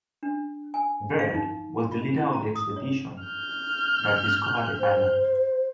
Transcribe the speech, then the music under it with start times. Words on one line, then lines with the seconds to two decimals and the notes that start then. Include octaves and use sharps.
Byrd was the leader of the expedition that discovered the island.
0.23 D4
0.74 G#5
1.19 F5
1.35 D#4
1.91 F4
2.18 E4
2.33 A#5
2.56 D#6
2.76 C#5
3.24 F6 G6
4.79 C5